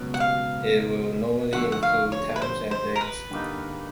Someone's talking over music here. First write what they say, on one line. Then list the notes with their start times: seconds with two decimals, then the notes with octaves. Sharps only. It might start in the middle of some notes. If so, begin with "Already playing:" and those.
It will normally include times and dates.
Already playing: C#2 B2 F#3 B3
0.14 F#5
0.20 F5
1.53 D3 F3 A3 F#5
1.72 F#5
1.83 F5
2.12 C#5
2.36 B4
2.42 C5
2.71 C5
2.96 A#4
3.01 B4
3.30 G2 D3 G3 A#3 D#4